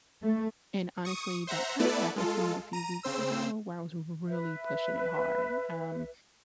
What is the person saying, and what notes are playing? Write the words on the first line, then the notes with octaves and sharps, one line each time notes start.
and, honestly, that kinda happened to me a few weeks ago where I was r r really pushing it hard, um,
A3
C#6 D#6
C5 E5 F#5 A#5
A3 B3 E4 A4 B4 D5
G#3 F4 A4
A#5 D#7
C#3 C4 C5 E6
B4 E5